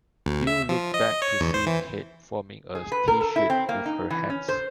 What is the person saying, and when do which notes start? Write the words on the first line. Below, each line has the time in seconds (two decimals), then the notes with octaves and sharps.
Bill looked back to see Kate forming a T-shape with her hands.
0.26 D2
0.47 E5
0.69 F3
0.94 D#5
1.22 C#5
1.40 E2
1.54 C5
1.66 E3
2.75 G#4
2.92 B4
3.08 A#4
3.21 A4
3.36 E4
3.50 C4
3.69 A#3
3.86 D#4
4.10 E3
4.30 C#4
4.49 C5